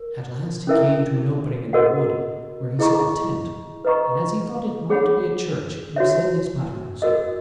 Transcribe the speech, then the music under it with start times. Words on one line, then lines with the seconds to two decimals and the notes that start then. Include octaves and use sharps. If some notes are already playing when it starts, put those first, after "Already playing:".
At last he came to an opening in the wood where he saw a tent, and as he thought it might be a church he said his pater-noster to it.
Already playing: A#4
0.67 C#4 E4 A#4 E5
1.73 F#4 A#4 D#5 F#5
2.79 E4 G#4 D#5 A#5 C#6
3.85 B4 D#5 A#5 C#6
4.90 G#4 C#5 F#5 B5
5.96 F#4 C#5 E5
7.02 F#4 A#4 D#5